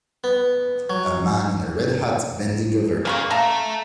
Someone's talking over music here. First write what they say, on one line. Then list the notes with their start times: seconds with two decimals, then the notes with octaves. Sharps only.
A man in a red hat bending over.
0.24 B3
0.90 F#3
3.05 A#2 C#3 A#3 B5 C#6
3.30 A4 E5 F5 A5 A#5